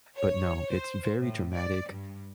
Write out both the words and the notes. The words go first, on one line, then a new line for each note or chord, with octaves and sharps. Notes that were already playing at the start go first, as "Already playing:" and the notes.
But, no, it's very dramatic,
C#5
C5
A2
D5
G2